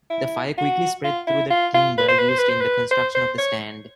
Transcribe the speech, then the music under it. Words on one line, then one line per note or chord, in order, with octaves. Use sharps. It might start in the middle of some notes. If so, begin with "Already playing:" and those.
The fire quickly spread through the timber used in the construction of the stand.
E4
F#4
F4
E4
F4
F4
B4
C5
B4
C5
B4
C5
B4
C5
C5
C#5